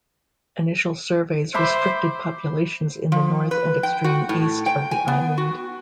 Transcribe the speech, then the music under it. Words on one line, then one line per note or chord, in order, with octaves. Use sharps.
Initial surveys restricted populations in the north and extreme east of the island.
C5 E5 B5 D6
F3
B4
G5
F#4
A2
G5
G#5
B3
F#4